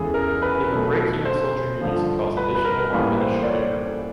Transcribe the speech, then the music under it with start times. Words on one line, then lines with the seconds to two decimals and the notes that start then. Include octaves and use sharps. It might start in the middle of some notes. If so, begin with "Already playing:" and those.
They can break human soldier units and cause additional harm at a short interval.
Already playing: E2 C#3 E3 G#3 G#4 A4
0.14 A#4
0.42 B4
0.70 B2 F#3 A3
1.25 C5
1.81 G2 D3 F3
2.37 B4
2.55 B4
2.65 A#4
2.93 A2 E3 G3 A#3 B4
3.21 C5
3.42 D5
3.48 C#5